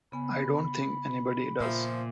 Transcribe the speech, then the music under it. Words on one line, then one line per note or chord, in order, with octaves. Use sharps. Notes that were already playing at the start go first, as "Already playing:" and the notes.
I don't think anybody does.
C#3 B3 G#5 B5
A#2 F3 E5